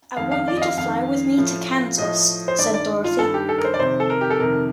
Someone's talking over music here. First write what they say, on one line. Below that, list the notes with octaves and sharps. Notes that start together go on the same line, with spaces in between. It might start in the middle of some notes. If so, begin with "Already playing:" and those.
"I want you to fly with me to Kansas," said Dorothy.
F2 D#3 F5
F5
D5
D#5
F5
F2 D#3 F5
A2 F3
A2 F3 D#5
C5
G2 D#3 D5
D5
F4
G2 D#3 A4
G4
A4
A#4
C5
D5
F2 C3 D#3 C5
A4
A#4
G4
A4
F2 C3 D#3 A#4